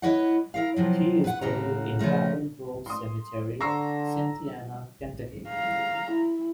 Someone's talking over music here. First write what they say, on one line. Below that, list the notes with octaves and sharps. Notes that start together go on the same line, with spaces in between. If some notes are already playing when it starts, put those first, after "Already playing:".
He is buried in Battle Grove Cemetery, Cynthiana, Kentucky.
E4 B4 C#5 D#5 F#5
E4 A#4 F5
C3 F3 F#3
B4 F#5
D#2 A2 C#3 F#4 A4 A#5
C#3 F3 A3 A#4
C6 D#6
D3 A#5 C6 C#6 E6 C7
F5 A#5
E4